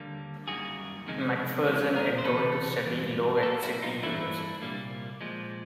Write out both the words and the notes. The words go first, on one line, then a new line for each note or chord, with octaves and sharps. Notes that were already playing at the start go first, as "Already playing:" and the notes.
Macpherson enrolled to study law at Sydney University.
Already playing: D#2 D3 G3 A#3
F#2 D#3 G3 A#3 F#4 G#4
F2 C3 D#3 G#3
D#2 C#3 F3 G#3
G#4 A#4
C5
D2 C3 E3 A4 B4
G2 E3 G#3
G#4
A2 F#3 A#3 G4 A4
E4 F#4
D#4 F4
G2 E3 A3 D4 E4
C2 A#2 G3 A#3
A#2 F3 G#3